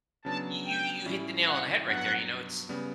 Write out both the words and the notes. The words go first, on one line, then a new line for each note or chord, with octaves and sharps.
you you you hit the nail on the head right there, you know, it's
C#3 F#3 B3 D4 A5
G5
A2 G3 C#4 E4
F#5
G2 F#3 B3 F#5
C#3 G3 B3